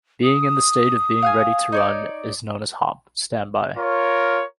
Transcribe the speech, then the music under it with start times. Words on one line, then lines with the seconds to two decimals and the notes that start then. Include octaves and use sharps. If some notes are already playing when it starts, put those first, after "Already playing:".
Being in the state of being ready to run is known as hot standby.
0.23 D#6
1.22 F5 F#5 G#5
1.72 D#4 C#5 D5
3.77 F4 A#4 C#5